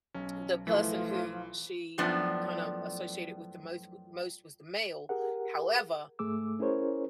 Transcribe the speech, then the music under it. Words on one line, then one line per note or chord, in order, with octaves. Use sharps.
the person who she kind of associated with the most with the most was the male. However,
B1 C#4
E3 F3 A3
F#2 A2 F3 B3 D4
G4 G#4 A#4 F#5
G#2 A3 G#4 D6 E6
C#4 E4 G#4 A#4 C5 C#5